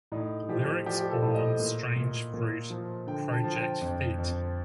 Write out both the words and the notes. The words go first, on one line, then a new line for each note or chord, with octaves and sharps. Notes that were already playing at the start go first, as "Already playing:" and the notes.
Lyrics Born, Strange Fruit Project Feat.
A2 D#4
F3 G4
F3 G4
G4
A4
A2
D#5
A#2
A#2
A#2
F3
D3 G5
A5
F3
G5
F2
F2